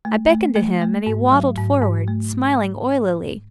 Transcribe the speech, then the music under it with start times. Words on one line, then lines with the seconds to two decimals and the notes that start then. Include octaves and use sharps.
I beckoned to him and he waddled forward, smiling oilily.
0.05 A3
0.30 A3
0.56 A3
0.81 A3
1.06 G#2
1.32 F#3
1.57 G#2
1.82 G#2
2.08 A3